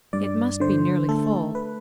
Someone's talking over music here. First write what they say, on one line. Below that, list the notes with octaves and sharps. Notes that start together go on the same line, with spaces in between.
It must be nearly full.
G2 D5
D3 C5
A3 A4
B4